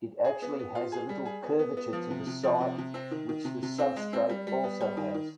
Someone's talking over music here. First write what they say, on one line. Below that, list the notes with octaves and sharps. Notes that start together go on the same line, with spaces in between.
It actually has a little curvature to the site which the substrate also has.
G#4
B3
B3
F4
G#4
G3
G#4
B3
B3
B3
F3
C3
C3
F3
C3
C3
C4
D#3
D#3
C3
C3
C4
G#3
C4
G3
G3
B3
G3
D#3
D#3